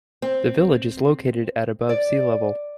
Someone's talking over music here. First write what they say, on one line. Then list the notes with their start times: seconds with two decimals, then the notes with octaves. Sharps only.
The village is located at above sea level.
0.22 C4
1.89 D5